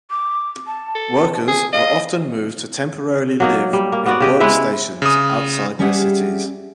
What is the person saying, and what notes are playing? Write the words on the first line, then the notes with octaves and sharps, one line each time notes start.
Workers were often moved to temporarily live in work stations outside their cities.
D6
A5
A4
G#4
D#5 F5
F#3 A#3 D#4
G3
A#3
B3 F#4 D5
C#3 G4 D#5
G#3 E4 B4 E5
C#3 D#6
G3 C#4 G4 G#4 E5 F#5